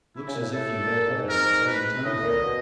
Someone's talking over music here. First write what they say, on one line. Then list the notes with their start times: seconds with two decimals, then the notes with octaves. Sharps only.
"Looks as if you had had an exciting time here."
0.16 E4
0.28 C#3
0.35 A#2
0.41 A2
0.53 A2 A4
0.91 A#2
1.10 G#2
1.29 A#4
1.67 B4
2.04 A2 D#5
2.23 A#2
2.42 B2